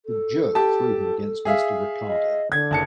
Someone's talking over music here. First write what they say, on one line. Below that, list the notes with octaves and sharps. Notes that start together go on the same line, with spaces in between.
The jerk threw him against Mr. Ricardo.
A4
G4 A5
G#4 E5 F5
D#5
D3 G#6
F#1 A5 C#7